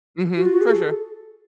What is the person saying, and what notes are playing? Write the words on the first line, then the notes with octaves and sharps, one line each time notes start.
Mhm. For sure.
F#4
F4
F#4
G#4
A4